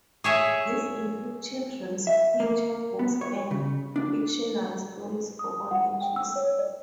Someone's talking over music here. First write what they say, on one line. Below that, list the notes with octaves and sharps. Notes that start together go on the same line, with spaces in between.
These include children's picture books and fictional stories for all ages.
G#4 C#5 E5
E5
A#3
B3
C#5
C#3
D4
D#6
F#5
G5
E6
C#5
D5